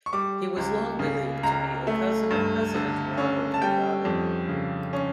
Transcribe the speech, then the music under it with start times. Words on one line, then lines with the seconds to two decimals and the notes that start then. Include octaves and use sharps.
He was long believed to be a cousin of President Robert Mugabe.
0.06 C#6
0.13 G3 D6
0.56 C#2
0.99 C#3
1.43 C#2 A#5
1.87 A3
2.31 G2
2.74 D3
3.18 C#4
3.54 A5
3.62 G3 G5
4.05 F2
4.49 C#3
4.93 C#4